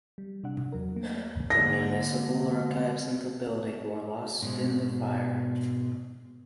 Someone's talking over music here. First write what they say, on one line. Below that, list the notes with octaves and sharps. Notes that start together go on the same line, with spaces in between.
The municipal archives in the building were lost in the fire.
G3
C3 D4 F#5
E2 F#3 A#4
A3 A#3
D3 G#3 A#3 A#6
G#2 B2 G#3